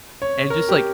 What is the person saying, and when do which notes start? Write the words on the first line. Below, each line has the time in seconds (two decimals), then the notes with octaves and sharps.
and just, like,
0.22 C#5
0.50 A#4
0.69 G4